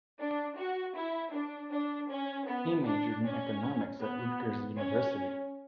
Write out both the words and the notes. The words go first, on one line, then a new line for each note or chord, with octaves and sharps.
He majored in economics at Rutgers University.
D4
F#4
E4
D4
D4
C#4
B3
D4
C#4
B3
C#4